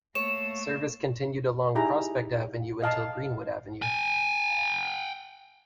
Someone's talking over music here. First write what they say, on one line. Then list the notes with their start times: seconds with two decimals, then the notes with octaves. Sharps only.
Service continued along Prospect Avenue until Greenwood Avenue.
0.15 A3 A#3 C#5 E7
1.75 D#4 E4 G4 G#4 A#5
2.82 D#5 F5 A5
3.82 G5 G#5